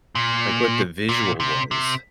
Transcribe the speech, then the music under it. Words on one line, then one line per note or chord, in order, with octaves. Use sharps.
like, what the visual was.
A#2
A#2
C3
C3